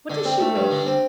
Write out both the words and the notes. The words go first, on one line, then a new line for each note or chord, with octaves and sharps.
What does she wish?
D3
C4
A3
G2
D3
C4